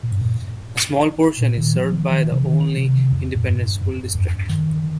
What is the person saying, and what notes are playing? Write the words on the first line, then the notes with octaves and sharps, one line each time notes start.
A small portion is served by the Olney Independent School District.
A#2
G2
A#2
A#2
D#3
F3
D#3
D#3
C3
D#3
C3
F2
A#2
G2
F2
G2
D#3
D#3